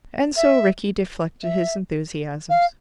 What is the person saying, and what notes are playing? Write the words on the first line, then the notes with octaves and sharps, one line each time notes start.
And so Rickie deflected his enthusiasms.
E5
E5
F5